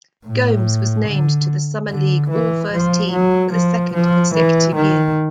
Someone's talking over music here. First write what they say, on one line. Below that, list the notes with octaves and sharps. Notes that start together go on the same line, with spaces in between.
Gomes was named to the summer league all-first team for the second consecutive year.
A2
D3
D3
E3
F3
F#3
F3
F3
E3
D#3